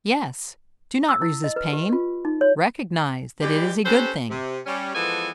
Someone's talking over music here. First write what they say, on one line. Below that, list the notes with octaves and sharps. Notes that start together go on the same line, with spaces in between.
Yes. Do not resist pain; recognize that it is a good thing.
E6
E4
D#5
B4
G4
F4
D#4
C#5
E3 G3 G#3 G4
C#4 G4 A4 B4 C5
C3
G3 C#4
E3 F3 G#3 B3 A4 G#5